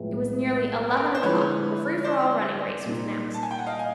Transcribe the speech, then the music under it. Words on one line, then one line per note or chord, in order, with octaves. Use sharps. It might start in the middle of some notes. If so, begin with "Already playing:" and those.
It was nearly eleven o'clock when the free-for-all running race was announced.
Already playing: B1 A2 F3 G#3 B3
A#4
B4
C5
D3 F3 G#3 C4 E4 B4 C#5
C5 D5
A#2 G3 A#3 D#4
A5
G#5
G5
F#5
D#5 F5
G#5